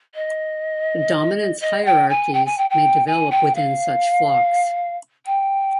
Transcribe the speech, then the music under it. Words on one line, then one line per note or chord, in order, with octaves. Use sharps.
Dominance hierarchies may develop within such flocks.
D#5
D#5
G5
G#5
G5
G#5
G5
G5
G#5
G5
F5
G5